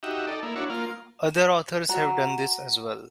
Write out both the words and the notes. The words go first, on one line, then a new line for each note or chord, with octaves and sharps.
Other authors have done this as well.
D#4 F#4 G4 E5
D#4 A4 D5
A#3 E4
D4 E4 F#4 C#5
A#3 F4
F#4 F#5 A#5